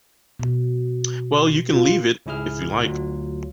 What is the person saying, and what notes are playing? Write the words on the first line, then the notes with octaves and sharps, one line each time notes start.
Well, you can leave it, if you like.
B2
F4
C#2 G#2 E4 G#4 F6
D2 F#3 F4